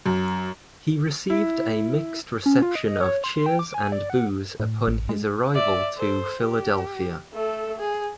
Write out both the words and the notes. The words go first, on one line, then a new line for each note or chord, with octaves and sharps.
He received a mixed reception of cheers and boos upon his return to Philadelphia.
F#2
E4
C#4
F4
D#5
C#5
C6
G5
D6
G#5
D5
F#5
A2
A1
G#3
D5 E5
A4 C5
G4
A3 A4
G#4